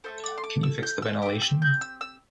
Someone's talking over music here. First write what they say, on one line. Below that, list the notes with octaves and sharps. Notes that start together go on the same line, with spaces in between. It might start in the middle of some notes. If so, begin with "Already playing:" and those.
Can you fix the ventilation?
A3 E4 A4 C5
D5
C6
D6
E6
G6
E6
C4 G4 D6
E6
G6
E6
E6